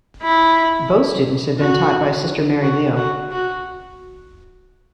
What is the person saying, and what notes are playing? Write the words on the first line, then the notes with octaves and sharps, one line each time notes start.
Both students had been taught by Sister Mary Leo.
E4
F#4
F#4
F#4
F#4